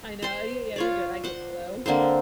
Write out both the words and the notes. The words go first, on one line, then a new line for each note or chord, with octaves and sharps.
I know, yeah, yeah, you're good I get you though.
C5 C6
F4 C#5 D5
C5 F#5
D3 A#3 C4 C5